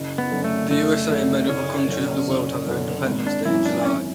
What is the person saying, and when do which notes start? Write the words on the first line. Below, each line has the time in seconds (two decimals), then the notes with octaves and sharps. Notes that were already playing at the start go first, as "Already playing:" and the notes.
The USA and many other countries of the world have their independence day in July.
Already playing: F#1
0.18 B3
0.31 F#2 D3
0.44 A3
0.70 F#1 A3
1.10 F#2 D3
1.49 F#1 C#4
1.89 F#2 D3
2.28 F#1
2.67 F#2 D3
3.06 G#1
3.27 D4
3.45 F#2 E3 E4
3.65 D4
3.85 G#1 C#4